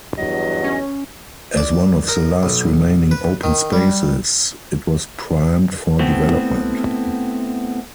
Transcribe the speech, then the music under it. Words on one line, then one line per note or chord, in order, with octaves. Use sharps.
As one of the last remaining open spaces it was primed for development.
E2 G2 F#3 D#5
C#4
D5
A#4
B1
B4
D#3
G3
A3 B3 C4 E4 F#4